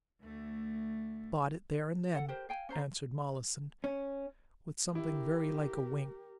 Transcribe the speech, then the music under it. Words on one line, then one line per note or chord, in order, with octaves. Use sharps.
"Bought it there and then," answered Mollison, with something very like a wink.
D2 A3
A4 F#5
G4 A#4 C5
F5 G5 G#5
C#4 C5 A#5
C#4
E4 G4 A#4